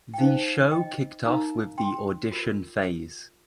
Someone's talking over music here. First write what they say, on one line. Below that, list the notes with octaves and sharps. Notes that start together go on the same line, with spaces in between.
The show kicked off with the audition phase.
G5
D#4 C5 F5
D#5 G5
D#4 A#4 F5 A#5
G5 C6
F4 A#4